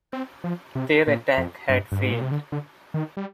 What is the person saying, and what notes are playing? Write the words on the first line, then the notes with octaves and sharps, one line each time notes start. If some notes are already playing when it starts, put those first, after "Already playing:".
Their attack had failed.
C4
F3
C3
A#2
F2
G2
G2
G#2
A#2
C3
D3
D3
D#3
G3